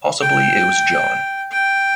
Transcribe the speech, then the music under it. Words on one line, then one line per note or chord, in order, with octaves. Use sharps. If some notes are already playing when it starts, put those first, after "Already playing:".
Possibly it was John.
G5
G5